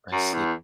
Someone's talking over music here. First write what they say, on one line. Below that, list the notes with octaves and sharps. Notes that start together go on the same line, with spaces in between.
I see
F#2
E2